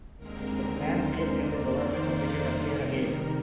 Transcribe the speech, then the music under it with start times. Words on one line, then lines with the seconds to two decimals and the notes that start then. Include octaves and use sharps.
The plan fails and the government officials appear again.
0.17 D#2 D3 G#3 C4 A#4
0.75 C5
1.04 C5
1.32 F2 D#3 A#3 A#4 D5
1.62 C5
1.89 A#4
2.47 C3 D#3 G3